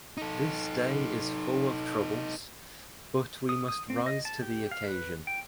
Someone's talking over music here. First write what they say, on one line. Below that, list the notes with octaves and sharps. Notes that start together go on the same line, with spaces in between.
This day is full of troubles, but we must rise to the occasion.
D#4 A4
D#6
D#6
C4
D#5
A5
G4
F5
B4
G5